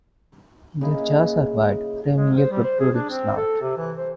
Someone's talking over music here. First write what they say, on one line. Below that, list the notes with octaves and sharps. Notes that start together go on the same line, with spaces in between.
Their jaws are wide, framing a protruding snout.
C#3 A#3 D#4 E4
G#3
C5
G3
C5
G#4
D4
C4
A4
C3
E3
C5